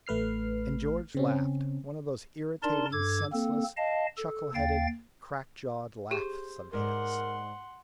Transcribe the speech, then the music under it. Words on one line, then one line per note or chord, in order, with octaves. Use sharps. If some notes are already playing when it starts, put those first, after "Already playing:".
And George laughed--one of those irritating, senseless, chuckle-headed, crack-jawed laughs of his.
A1 A3 B4 F6 C7
C#3 C4 C#4
D4 D#4 A#4 D5 A5 C6
G2 A4 D6 G#6
A#3 C4 A4
D#5 F5 A5
A4
D#2 F5 G5 A6
G4 G#4 C5
G#2 A#4 D5 F#5 C6